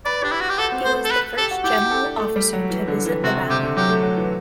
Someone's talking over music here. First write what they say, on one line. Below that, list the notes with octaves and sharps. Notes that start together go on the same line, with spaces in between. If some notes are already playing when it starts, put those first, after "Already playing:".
He was the first General officer to visit the valley.
B4 D5
D4 G4
E4
F#4
G4
F#4 A4
C4
A3 C5
A4
B4
G4 A4
F#4
E4 G4
A4
D4
A3
G3
F#3
E3
D3
E3
C3 F#4
D3
C3 G4
D3
F#3 G4
A3
F#3
E3